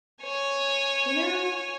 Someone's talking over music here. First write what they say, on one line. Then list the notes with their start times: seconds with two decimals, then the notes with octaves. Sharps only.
"You know,
0.23 C#5 G#5